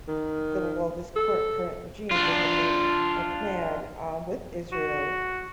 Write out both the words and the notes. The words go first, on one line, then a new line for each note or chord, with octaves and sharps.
the well, this cor current regime, they had made a plan, um, with Israel,
D#3
A4
D4 F4
F#4